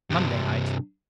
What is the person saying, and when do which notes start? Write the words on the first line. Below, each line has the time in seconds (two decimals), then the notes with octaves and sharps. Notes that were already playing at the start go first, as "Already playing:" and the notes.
Monday night?
0.10 G2 C3